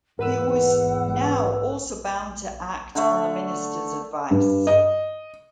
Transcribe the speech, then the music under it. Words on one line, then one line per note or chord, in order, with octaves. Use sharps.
He was now also bound to act on the ministers' advice.
E2 G#2 A#4 B4 F#5 E6
D3 A3
G2
D#5